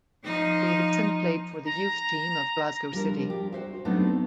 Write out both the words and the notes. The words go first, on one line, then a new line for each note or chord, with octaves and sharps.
Davidson played for the youth team of Glasgow City.
F3 D#4
A#5
F3 G3 D4 A#4
G4
F#4 C5 E5
F#3 A3 B3 C4 D4 D#4